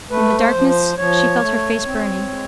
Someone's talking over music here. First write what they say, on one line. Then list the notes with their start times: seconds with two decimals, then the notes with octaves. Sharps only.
In the darkness she felt her face burning.
0.10 A3 B4
0.39 C5
0.54 F3
0.68 C5
0.98 F3 C#5
1.41 A3
1.85 C4
2.29 G#3